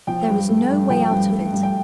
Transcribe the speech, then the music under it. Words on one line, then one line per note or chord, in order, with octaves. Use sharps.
There is no way out of it.
F3 G5
G2
A3
G2
F3 G5
G2
A3
G2
G5